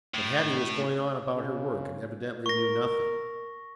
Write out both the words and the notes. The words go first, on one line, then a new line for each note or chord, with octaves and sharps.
But Hattie was going on about her work and evidently knew nothing.
A2
C#3
A#4 C#6 A#6